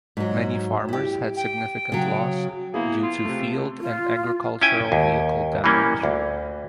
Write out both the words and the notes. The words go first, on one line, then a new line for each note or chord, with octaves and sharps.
Many farmers had significant loss due to field and agricultural vehicle damage.
G#2 F#3
E4 G4
G5
C#3 F#3
A#3 B3 E4 G#4
F4
C3 A3
F4
C#4 E4 E5 G5 G#5
D#2
E3 G3 A#3 C#4
D2